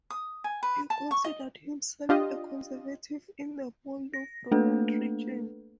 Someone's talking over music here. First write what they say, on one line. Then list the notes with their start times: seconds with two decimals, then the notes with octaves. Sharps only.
He considered himself a conservative in the mold of Ronald Reagan.
0.10 D#6
0.44 G#5
0.63 B4
0.90 A5
1.11 C#6
1.24 D#5
2.09 D4 F4 G4 D#5
4.14 A#6
4.51 A3 A#3 D4 A4 B4